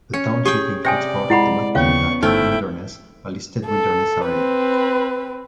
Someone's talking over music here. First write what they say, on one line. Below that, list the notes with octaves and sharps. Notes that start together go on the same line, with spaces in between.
The township includes part of the Mackinac Wilderness, a listed Wilderness Area.
C#4 C#7
G4 G#4 G5
C3 C5 D5 G5 G#5 D#6 G6 A#6
G#3 E4 F#5 B5
D#2 C#3 B3 C#4 C#5 F5 C#6
G1 A3 D#4 E4 C5 G5 E6 F6
A4
C4 B4